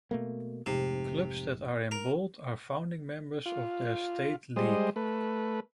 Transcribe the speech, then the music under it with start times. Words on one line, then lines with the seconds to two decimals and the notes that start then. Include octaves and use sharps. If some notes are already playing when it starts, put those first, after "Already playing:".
Clubs that are in bold are founding members of their state league.
0.11 B2 A3 A#3
0.66 F1 G#2 C3
1.91 A#4
3.46 F4
4.56 G3 G#3 C5 D#5
4.96 A3 B4